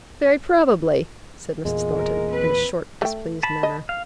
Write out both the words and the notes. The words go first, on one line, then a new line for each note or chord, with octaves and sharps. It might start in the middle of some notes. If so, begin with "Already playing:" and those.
'Very probably,' said Mrs. Thornton, in a short displeased manner.
E2 A#2 G#3 A#3
A#4
C4 B4
A3 G5
A5 B5
D#5
F5